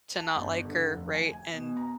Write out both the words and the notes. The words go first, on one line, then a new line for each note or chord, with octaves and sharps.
to not like her, right, and
A5
G1
D3
F1
G#5
G#5
B2
A#5